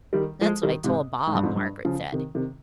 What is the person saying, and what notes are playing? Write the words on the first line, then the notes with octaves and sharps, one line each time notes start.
"That's what I told Bob," Margaret said.
D#3 G3
F3 G#3
D#3 G3
G#2 C3
G#2
G2
F2 G#2
G2
C#3 F3
C3 D#3
C3 D#3